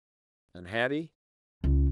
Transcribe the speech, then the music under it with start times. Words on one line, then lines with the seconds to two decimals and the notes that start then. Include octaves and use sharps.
And Hattie?
1.64 C#2